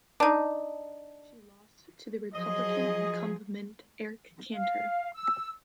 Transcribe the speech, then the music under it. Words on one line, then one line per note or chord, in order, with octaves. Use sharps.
She lost to the Republican incumbent, Eric Cantor.
D4 D#4
F3 F#3 G#4 D#5
F5
E6